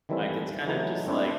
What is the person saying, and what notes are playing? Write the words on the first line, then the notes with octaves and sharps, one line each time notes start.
Like, it's kind of just, like
D#3 E3 G3 A3 C4 E4
E3 F#3 A3 B3 D#4
A3 C4 D4 E4 C5